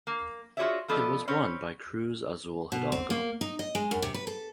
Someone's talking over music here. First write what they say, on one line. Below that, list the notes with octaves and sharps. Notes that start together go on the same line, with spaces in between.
It was won by Cruz Azul Hidalgo.
A#3
F4 F#4 G#4 C#5 D5 E5
F3 A3 B3 A4 D5 D#5
C4 C#4 B4 C#5
B2
C4
A#3
D#4
D#5
G#3
F#2
C3
B4
A4